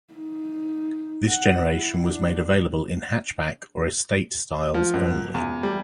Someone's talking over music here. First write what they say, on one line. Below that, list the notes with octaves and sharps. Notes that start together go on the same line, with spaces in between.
This generation was made available in hatchback or estate styles only.
D#4
F#5
E4
D4
F3
F#2
E2
G3